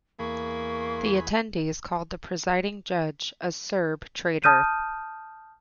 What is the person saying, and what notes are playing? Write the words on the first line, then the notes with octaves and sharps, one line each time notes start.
The attendees called the presiding judge a "Serb traitor".
E2 A#3 G#4 B5 C#6
A5 D#6 F6 G6 D#7